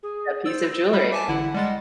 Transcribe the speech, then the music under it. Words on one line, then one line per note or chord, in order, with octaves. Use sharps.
that piece of jewelry."
G#4
C5 E6 A6
G3 B5
E5 G#5 A5 D6
A1 D3 E4 F#5
G3 G#3 A6